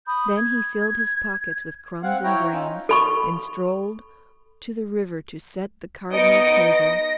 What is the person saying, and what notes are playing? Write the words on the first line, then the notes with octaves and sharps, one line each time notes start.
Then he filled his pockets with crumbs and grain, and strolled to the river to set the Cardinal's table.
B5 D#6 G6
G#6
C4 F5 F#5
E4 C#5 G5 A#5
C#4 D#4 F4
A4 B5 C#6
B3 D#4 D#5 C#7 D7
A#6